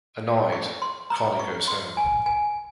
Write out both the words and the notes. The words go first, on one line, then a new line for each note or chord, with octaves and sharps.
Annoyed, Connie goes home.
C#6
C6
A#5
C#6
C6
G#5
G#5